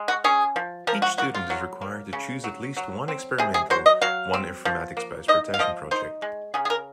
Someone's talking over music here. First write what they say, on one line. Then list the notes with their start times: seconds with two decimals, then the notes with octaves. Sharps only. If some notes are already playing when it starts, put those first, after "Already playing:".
Each student is required to choose at least one experimental one informatics-based rotation project.
Already playing: G#3
0.08 F#4
0.24 C#4 G#4
0.56 F3
0.87 F3 A#4
1.02 F#4
1.18 A#3 F#4
1.34 F4
1.50 F#3
1.81 A#3
2.13 C#3
2.44 F#3
2.77 F#3
3.08 C4
3.38 C3 G#4
3.54 G#4
3.70 F#3 C5
3.86 D#5
4.02 F#3 F5
4.34 C4
4.65 F3
4.97 A#3
5.28 D#4 D#5
5.54 F5
5.59 F3 D#5
5.91 D#4 C5
6.22 G#3
6.54 C#3 G#4
6.65 G#4
6.70 A#4